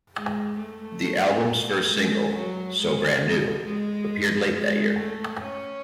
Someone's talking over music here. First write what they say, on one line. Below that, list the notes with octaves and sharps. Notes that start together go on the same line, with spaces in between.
The album's first single, "So Brand New", appeared late that year.
G#3
A3
G#3
F#3
G#3
G#3
G#3
G#3
A3
C#4